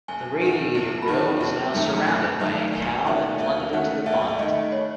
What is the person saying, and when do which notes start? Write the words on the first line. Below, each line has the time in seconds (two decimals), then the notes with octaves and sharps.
The radiator grille was now surrounded by a cowl that blended into the bonnet.
0.08 F#1 G#5
0.41 E2 D#3
0.75 F#1
1.02 B5
1.07 E2 D#3 A5
1.41 F#1
1.74 F#2 D#3 A3
2.07 F#1 B5
2.40 F#2 D#3 A3 A5
2.73 D#2 G#5
3.06 D#3 A3 C#4 F#4 E5
3.39 D#2 E5
3.73 D#3 A3 C#4 F#4 F#5
4.06 D#2 E5
4.28 E5
4.39 D#3 A3 D#5
4.72 C#5